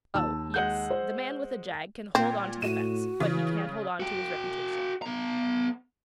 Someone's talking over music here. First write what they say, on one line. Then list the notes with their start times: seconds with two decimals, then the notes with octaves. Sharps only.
Oh, yes, the man with a jag can hold on to the fence, but he can't hold on to his reputation.
0.14 D#2 A5 E6
0.54 G#3 F#5 G6
0.90 C5
2.15 A#2 C4
2.62 A2 F#4 D#7 E7
3.20 C#3 E3
4.00 F#4 G5
5.02 B3 A#5